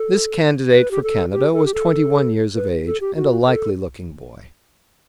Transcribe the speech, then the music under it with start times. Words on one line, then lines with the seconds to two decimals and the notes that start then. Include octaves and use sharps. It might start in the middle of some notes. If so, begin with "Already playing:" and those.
This candidate for Canada was twenty-one years of age, and a likely-looking boy.
Already playing: A4
0.73 B4
0.91 G4
1.03 A4
1.33 G4
1.53 A4
1.65 G4
1.74 A4
2.56 B4
2.86 A4
3.01 G4
3.16 F#4
3.48 A4